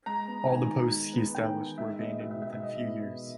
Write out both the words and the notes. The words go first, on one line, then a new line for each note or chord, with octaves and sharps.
All the posts he established were abandoned within a few years.
G#3 A#5
B3
D#3 G#5
D#3
G#3
B3
D#3 G5
D#3
G#3 E5
B3 D#5
B2 E5
E5
B2 E5
E5
G#3 D#5
B3
B2